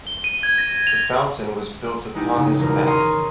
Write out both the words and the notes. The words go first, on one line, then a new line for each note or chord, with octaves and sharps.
The fountain was built upon this mat.
G7
D#7
G#6
A#6
F7
G#3 B3 D#4 E4 G4
G#2 C#3 D#4
E1 A#4
C#5 D#5 A#5 C6 D#6 F6
D#3